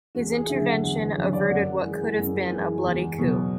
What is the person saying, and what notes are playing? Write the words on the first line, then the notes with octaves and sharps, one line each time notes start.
His intervention averted what could have been a bloody coup.
E2 F#4
G#4
D3 F#3 E5
F#5
E2
B4
D3 F#3 C#5
D5
F#2 F#5
E3 G#3
F#2
E3 G#3
E2
B2 F#3